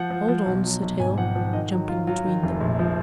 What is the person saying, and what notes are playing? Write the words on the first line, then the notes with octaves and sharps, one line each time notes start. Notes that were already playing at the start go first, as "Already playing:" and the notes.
"Hold on!" said Hale, jumping between them.
Already playing: F3 F#5
F3
F3
B1
F#3
B1
G#1 G#5
F3 F#5
F3
D#3 D#5
F#3
F#3 F4
F#3 F4
D#3
F1
A#1
F3